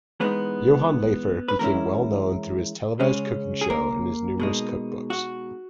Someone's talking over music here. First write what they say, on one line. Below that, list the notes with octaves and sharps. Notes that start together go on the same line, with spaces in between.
Johann Lafer became well-known through his televised cooking show and his numerous cookbooks.
E3 G#3 B3 D#4 B4
B4
E3 G#3 A#3 C#4 E4 A#4
C#3 G#3 C#4
G#4
A#3 A#4
B2 G#3 D#4
F#4